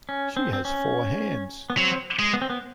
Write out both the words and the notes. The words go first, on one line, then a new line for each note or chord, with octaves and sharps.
She has four hands.
C#4
C4
C4
C#4
B3
F#3 C4
G#3
B3
C4
B3